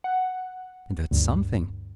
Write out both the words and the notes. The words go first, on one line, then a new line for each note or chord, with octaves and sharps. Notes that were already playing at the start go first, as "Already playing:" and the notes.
And that's something.
F#5
D2 G2